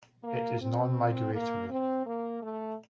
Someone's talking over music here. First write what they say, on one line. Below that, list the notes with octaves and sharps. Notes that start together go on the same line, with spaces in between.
It is non-migratory.
A#3
C4
A#3
C4
A#3
A3